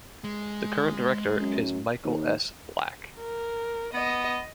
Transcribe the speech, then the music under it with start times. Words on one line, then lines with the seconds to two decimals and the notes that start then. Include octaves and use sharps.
The current director is Michael S. Black.
0.24 G#3
1.40 F#2
2.04 D#2
3.18 A#4
3.94 B3 D#5